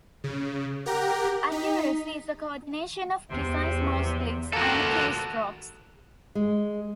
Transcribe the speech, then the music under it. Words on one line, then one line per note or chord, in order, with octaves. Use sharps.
Accuracy is the coordination of precise mouse clicks and keystrokes.
C#3
G4 A#4 F#5 G5 A#5
D#4 B6
E2 C3
F3 A#3 F#4 A4
G#3